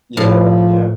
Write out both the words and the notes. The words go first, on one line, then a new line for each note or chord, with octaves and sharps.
Yeah, yeah.
A2 F3